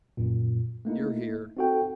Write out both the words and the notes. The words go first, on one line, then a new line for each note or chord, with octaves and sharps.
You're here!
F#2 A#2
A3 A#3 D#4 E4
C4 D#4 F#4 A4 G5